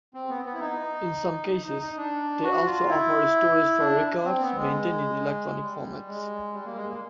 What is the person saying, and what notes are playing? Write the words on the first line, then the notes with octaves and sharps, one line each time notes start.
In some cases, they also offer storage for records maintained in electronic formats.
C4
B3
B3
E4
D#4
D#4
D#4
D#4
D4
F#4
F4
E4
D4
C4
B3
G#3
G3
G#3
G3
A#3
G#3
A#3